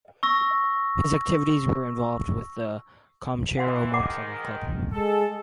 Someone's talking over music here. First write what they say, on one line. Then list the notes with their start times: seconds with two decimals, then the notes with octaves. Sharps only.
His activities were involved with the Comanchero Motorcycle Club.
0.23 C#6 E6 A#6
3.57 E3 F5 F#5 C6
3.94 G#2 D#3 F#5 D6
4.91 G#3 A4